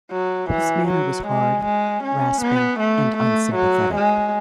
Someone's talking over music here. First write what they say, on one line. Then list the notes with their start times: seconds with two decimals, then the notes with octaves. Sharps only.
His manner was hard, rasping, and unsympathetic.
0.11 F#3
0.50 E3
0.88 F#3
1.27 G#3
1.65 G#3
2.03 C#4
2.41 B3
2.80 A3
3.17 A3
3.55 F#3
3.94 G#3